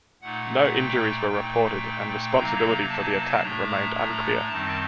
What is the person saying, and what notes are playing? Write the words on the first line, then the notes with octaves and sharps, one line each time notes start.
No injuries were reported and responsibility for the attack remained unclear.
A#2 A3 D#4 F#5
G5
A#2 A3 D#4 G5
C3 F#3 A#3 D#4 A#5
A5
A2 A3 D4 A#5
A#5
F#2 D#3 G3 C4 D#4 A5